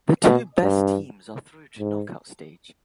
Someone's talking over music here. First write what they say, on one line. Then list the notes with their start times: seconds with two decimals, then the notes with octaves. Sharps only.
The two best teams are through to knockout stage.
0.24 B2
0.63 G2
1.79 G#2